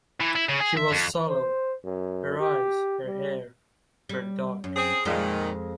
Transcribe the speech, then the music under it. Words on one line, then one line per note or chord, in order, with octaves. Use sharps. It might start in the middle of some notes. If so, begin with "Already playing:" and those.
She was sallow; her eyes, her hair, were dark.
E3
E4
C#3
G#4
E5
F2
C5
F#2
G4
G3
G3
F#2
C4 G#4
F2 A#2 D#3 G#3 C5